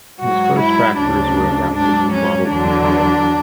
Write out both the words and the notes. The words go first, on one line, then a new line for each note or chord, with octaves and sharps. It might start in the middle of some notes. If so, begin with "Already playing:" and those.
His first tractors were adapted from Model T cars.
G#2 F#3 F#4
E4
D2 C#3 F#3 D4
G#2 F#3 D4
C#4
E2 D3 F#3 D4